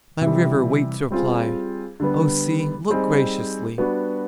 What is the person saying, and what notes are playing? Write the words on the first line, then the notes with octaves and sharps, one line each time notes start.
My river waits reply. Oh sea, look graciously!
C3 E3 G3
G3 C4 F4 G#4
D3 G3 B3
G3 C4 D#4 G#4
G3 B3 D4 F#4